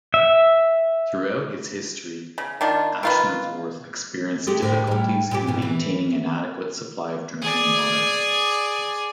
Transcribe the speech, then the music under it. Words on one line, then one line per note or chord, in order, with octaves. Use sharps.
Throughout its history Ashmansworth experienced difficulties in maintaining an adequate supply of drinking water.
E5
C#3
D#3 D4 F4
D#3 F4 B4
G#3 A3 G4
A2 D3 C4
A2 G3
A#2 F4 G4
G#2 B2
E3
G#4 D5